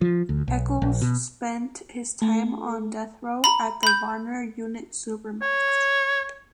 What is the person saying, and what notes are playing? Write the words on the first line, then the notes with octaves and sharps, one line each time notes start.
Echols spent his time on death row at the Varner Unit Supermax.
F3
D2
B1
A#1
B2
A3
A#5 B5
B5 G6
C#5